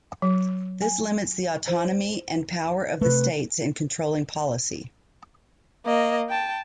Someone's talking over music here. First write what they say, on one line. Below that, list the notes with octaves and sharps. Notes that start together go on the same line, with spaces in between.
This limits the autonomy and power of the states in controlling policy.
F#3
G#5
C5
C3 A3 B4
A#3 D#5
G5 A5